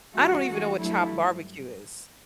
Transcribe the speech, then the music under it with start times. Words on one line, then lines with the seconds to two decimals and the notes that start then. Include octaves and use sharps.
I don't even know what chopped barbecue is.
0.13 G2 E3 A3 F#4
0.45 G2 E3 A3
0.78 G2 F#3 A3 E4